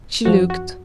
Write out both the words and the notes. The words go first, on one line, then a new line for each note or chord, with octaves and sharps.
She looked.
F#2 F3 F#4
F#4